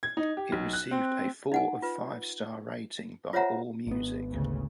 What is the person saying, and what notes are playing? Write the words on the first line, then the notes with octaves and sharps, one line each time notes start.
It received a four of five star rating by AllMusic.
G#6
D#4
G4
B1
F#6
C4
D#4 F#5 G#5
F4 B4
F4 C5 C#5 E5 F#5 A#5
G#1 B3
D2 C#3